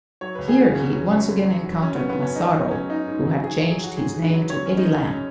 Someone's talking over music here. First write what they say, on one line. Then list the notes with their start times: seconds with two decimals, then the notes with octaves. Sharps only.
Here, he once again encountered Massaro, who had changed his name to Eddie Lang.
0.21 F#3 C#5
0.35 C#2 B4
0.48 G#4
0.57 C#3 F#4
0.75 C#2 C#4
0.93 F#3
1.11 C#2
1.28 F#2
1.46 F#3
1.65 F#3
1.82 F#2 C#4
1.95 F#2 B3
2.09 B3
2.18 F#3 C#4
2.36 G#2 D#4
2.53 F#3 B3
2.71 F#3 C#4
2.89 G#2 D#4
3.08 G#2
3.25 F#3
3.44 G#2 G#4
3.61 F#3
3.70 G#4
3.79 F#3 F#4
3.97 G#2 G#4
4.14 G#2
4.23 B4
4.33 F#3
4.50 F#3 C#5
4.66 F#2 C#4
4.77 D#4
4.86 C#3
5.04 F#2 C#4